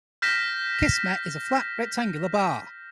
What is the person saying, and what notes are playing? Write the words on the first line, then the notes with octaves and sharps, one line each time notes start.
Kismet is a flat, rectangular bar.
F6 G6 A#6 B6 E7